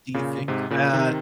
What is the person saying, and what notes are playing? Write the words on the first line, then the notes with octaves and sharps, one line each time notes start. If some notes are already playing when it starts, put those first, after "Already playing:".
Do you think that
A#2 C#3
G#2 C3
A#2 C#3
C3 D#3